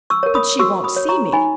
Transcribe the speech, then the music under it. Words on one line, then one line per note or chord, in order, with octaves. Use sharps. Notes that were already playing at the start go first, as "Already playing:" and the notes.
"But she won't see me."
C#6 E6
A#4 C#5
B5 D#6
F#4 C#6 E6
B5 D#6
C#5
A#5 C#6
D#4 G#5 B5